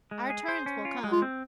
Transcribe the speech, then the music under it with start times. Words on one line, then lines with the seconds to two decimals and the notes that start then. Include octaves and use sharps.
Our turns will come.
0.11 G#3
0.30 G#4
0.48 C5
0.66 C#4
0.85 F4
1.04 G#3
1.12 F4
1.22 C4